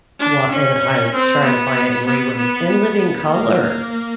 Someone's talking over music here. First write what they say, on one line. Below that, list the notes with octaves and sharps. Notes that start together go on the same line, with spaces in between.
what and I'm tryna find it in reruns In Living Color.
D4
C#4
C4
B3
B3
B3
B3
A#3
A#3